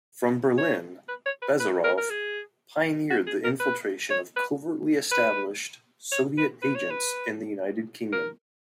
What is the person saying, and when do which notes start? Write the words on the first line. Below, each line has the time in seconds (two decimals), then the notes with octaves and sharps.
From Berlin, Bazarov pioneered the infiltration of covertly-established Soviet agents in the United Kingdom.
0.58 C#5
1.09 B4
1.26 C#5
1.42 B4
1.60 B4
1.84 A#4
1.98 A#4
2.10 G#4
3.10 F#4
3.27 G#4
3.44 A#4
3.60 B4
4.10 C#5
4.36 B4
5.11 B4
6.12 C#5
6.38 B4
6.62 B4
6.75 C#5
6.90 B4
8.12 A#4